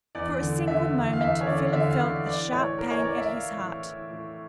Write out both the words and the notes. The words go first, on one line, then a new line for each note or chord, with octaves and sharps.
For a single moment Philip felt a sharp pang at his heart.
E2 D5
D3
D3 E5
E2
F5
E2 E5
C#5
D3 D5
F5
D3 E5
F5
D3
D5
E3 D5
A2 C#5
E3 A#4
C#5
E3 D5
E5
E3 F5
A2
E3
A2